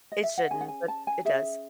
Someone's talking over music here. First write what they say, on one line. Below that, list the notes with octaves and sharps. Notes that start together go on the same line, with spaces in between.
It shouldn't, but it does.
D#5
E5
F#5
C#4 G#4 G#5
F#5
G#5
A5
G#5
C#4 G#4 E5